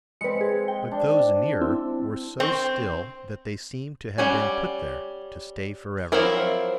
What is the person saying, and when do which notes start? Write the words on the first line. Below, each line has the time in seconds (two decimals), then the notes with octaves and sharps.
But those nearer were so still that they seemed to have been put there to stay forever.
0.21 G#3 C4 B4 C#7
0.41 G#4
0.68 G5
0.91 D4
1.61 C4 E4
2.40 C4
4.18 G3 C#4 F#5 G#5
6.12 F3 F#3 C4 E4 A#4